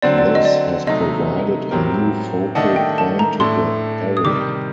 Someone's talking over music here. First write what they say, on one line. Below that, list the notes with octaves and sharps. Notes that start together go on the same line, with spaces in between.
This has provided a new focal point to the area.
D3 F#3 C4 F#4 C5 D5
D5
D#5
D5
C3 F#3 A3 D#4 D#5
A2 F#3 C4 G4 A#4
D#3 A3 D4 A4 D#5 F#5
G5
A5
A#5
A2 A3 D4 C6
D#6
C3 D#3 G3 D6